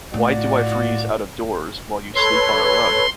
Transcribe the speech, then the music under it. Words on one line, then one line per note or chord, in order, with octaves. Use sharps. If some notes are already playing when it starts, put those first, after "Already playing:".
Why do I freeze out of doors while you sleep on a rug?
A2 F4 F#4 D5
A4 B4 C#5 C6